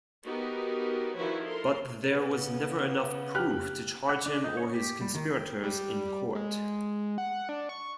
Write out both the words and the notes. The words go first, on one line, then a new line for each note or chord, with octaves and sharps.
But there was never enough proof to charge him or his conspirators in court.
B3 D#4 F#4 G4 A#4
D#3 F3 E4 F#4 B4 C#5
A4 A#4 C6
C#3 B3
G4 F6 F#6
F#5
D4
D#4
C#5
G4
G3
D#3
G5
G3
G#3
F#5
D4
C#6